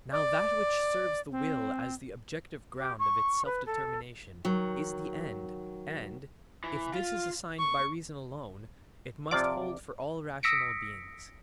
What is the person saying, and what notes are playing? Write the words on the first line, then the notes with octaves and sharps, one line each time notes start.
Now that which serves the will as the objective ground of its self-determination is the end, and, if this is assigned by reason alone, it must hold for all rational beings.
D5
C4
G4
C#6
B4
A4
D#3 F#3
E3
F4
C#6
C3 F3 F4 D5 D6
D#6 E6 A#6 B6 C#7 D7